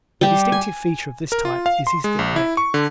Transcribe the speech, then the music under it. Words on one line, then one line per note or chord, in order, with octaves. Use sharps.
A distinctive feature of this type is his thick neck.
G3 G4
G#5
A#4
F4
F5
C6
G#3
A#1
E4
C#6
D3